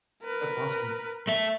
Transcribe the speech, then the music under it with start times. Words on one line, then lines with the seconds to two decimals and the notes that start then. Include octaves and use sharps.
That's awesome.
0.24 A#4 B4
1.28 A3 E5